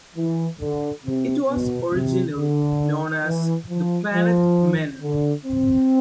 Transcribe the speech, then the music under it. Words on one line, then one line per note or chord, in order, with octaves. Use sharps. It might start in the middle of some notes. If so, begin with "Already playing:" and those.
It was originally known as "The Planet Men".
E3
D3
C3
B2
C3
D3
E3
F3
F3
D3
C4